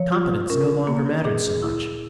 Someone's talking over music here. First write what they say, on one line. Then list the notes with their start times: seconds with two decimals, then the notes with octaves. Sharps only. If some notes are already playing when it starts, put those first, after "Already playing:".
Competence no longer mattered so much.
Already playing: F3 C#5
0.12 F4
0.50 C#4 A#4
0.87 A#3
1.25 A#2 G#4
1.62 E4